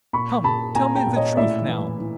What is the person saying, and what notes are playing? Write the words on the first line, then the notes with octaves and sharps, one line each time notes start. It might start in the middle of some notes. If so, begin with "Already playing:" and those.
"Come--tell me the truth now."
A#2 B5 C#6
A#2 A5 B5
A#2 G#5 A#5
G5 A5
A#2
C#5 D#5
A2 D5 E5
E3
E3